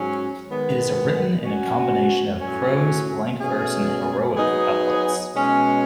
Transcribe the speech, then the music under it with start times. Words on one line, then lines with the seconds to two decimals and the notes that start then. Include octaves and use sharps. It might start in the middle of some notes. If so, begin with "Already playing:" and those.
It is written in a combination of prose, blank verse and heroic couplets.
Already playing: G#2 F#3 C#4
0.47 D#3 G#3 B3
1.44 F#3 C#4 F#4
2.41 A2 F#3 C#4
3.38 B2 A3 C#4 G#4
4.36 F#3 B3 D#4 G#4
5.33 B2 G#3 C#4